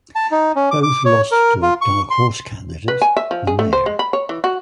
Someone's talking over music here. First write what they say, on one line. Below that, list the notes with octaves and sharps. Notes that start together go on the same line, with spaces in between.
Both lost to a "dark horse candidate": a mare.
A5
D#4
C#4
D6
D6
C#5
A#4
F4
C#6
C6
B4
G#5
E5
F3
G#4
A3
C5
G#3
B5
C#5
E3
F#4